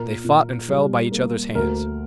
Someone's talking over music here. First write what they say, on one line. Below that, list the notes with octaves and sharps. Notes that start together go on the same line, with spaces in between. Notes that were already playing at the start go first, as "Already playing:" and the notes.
They fought and fell by each other's hands.
Already playing: A#2 A#4
A#2
G3
A#3
D2 A#4